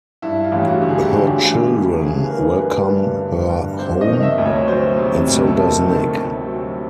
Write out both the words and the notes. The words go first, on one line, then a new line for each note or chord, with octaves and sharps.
Her children welcome her home, and so does Nick.
G2 E4
F4
A1 G4
F#4
D3
G#4
G4
D3 F#4
G4
A1
D3
D3 G#4
B4
D3 A#4
G3 B4
G2
D3
G2
C3 C5
D#5
D#3
E5
D2
C#5
F#3 C5
C3
D2
A4
D2 A#4
D#3
D2
F#3